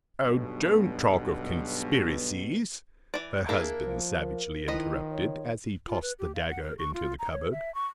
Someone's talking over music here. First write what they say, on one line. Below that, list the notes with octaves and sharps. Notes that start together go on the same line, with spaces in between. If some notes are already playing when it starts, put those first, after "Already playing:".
"Oh, don't talk of Conspiracies!" her husband savagely interrupted, as he tossed the dagger into the cupboard.
B1 G2 B2
E3 D5
A#3 D4 E4 G#4 A#4
F3
A#4
D#3 F3 E4 B4 D#5
C#5
F4
B4
G4
F5
F#5
A#4
C#6
F4
A#5
C#5
E5
C#6